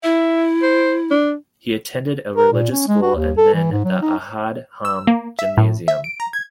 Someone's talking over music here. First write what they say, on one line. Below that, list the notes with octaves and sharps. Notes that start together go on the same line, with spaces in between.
He attended a religious school and then the Ahad Haam gymnasium.
E4 E5
C5
D4
A#4
A#2
C#4
G#3
F#4
D#2
A4
E3
G#2
F#3
D#4
E6
A#3
E5
A2
E5
D7
A#5
G#6